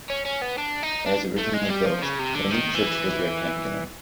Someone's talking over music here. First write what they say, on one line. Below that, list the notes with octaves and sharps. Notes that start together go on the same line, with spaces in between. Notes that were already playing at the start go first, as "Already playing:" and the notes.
As originally built, the new church was rectangular.
C#4
C#4
B3
D4
D#4
D4
A3
G#3
G3
F3
C#3
C3
D3
D#3
E3